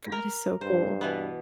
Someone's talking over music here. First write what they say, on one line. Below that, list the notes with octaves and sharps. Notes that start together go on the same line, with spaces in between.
That is so cool.
A#4
G2 C5
B2 E3 B3